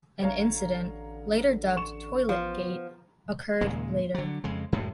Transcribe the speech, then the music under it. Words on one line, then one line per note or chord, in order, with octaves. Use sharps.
An incident, later dubbed "Toiletgate", occurred later.
A1 D3 C#5 F5 A#5
C#6 E7
F3 B3
D#2 A#2 C#3 G#3
D3 F#3
F2 C#3 G#3
F#2 A2 G#3